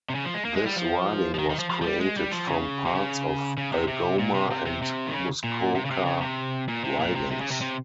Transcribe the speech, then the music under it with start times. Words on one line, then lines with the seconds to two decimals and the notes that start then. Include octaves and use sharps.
This riding was created from parts of Algoma and Muskoka ridings.
0.10 C3
0.15 C#3
0.25 F3
0.35 G#3
0.45 A#3
0.56 G#3
0.66 G3
0.76 F3
1.34 F3
1.39 D#3
1.50 D#3
1.59 F3
1.70 F3
1.81 F3
1.86 G3
2.01 G#3
2.17 G3
2.32 F3
2.48 C#3
2.86 C3
2.95 C#3
3.58 C#3
3.73 C3
3.88 C3
4.19 A#2
4.34 C3
4.51 C3
4.66 C3
4.82 C3
5.07 D#3
5.13 C#3
5.44 A#2
5.75 C3
5.85 C#3
5.91 C3
6.06 C#3
6.21 C3
6.68 A#2
6.84 C3
7.00 A#2
7.16 C3
7.31 C3
7.41 C#3
7.51 C3
7.61 C3